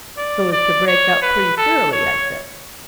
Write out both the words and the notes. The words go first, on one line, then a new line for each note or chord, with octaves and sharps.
"So as to break up pretty thoroughly?" I said.
D5
D5
C#5
B4
A4
C#5